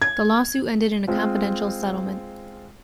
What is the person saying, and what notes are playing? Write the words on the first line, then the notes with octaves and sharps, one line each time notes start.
The lawsuit ended in a confidential settlement.
G#6
G#3 C4 F4